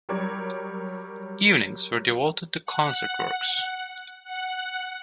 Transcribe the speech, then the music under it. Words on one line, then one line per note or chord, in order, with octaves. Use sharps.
Evenings were devoted to concert works.
F#3 G3 A#4 C#5 D5
F#5
F#5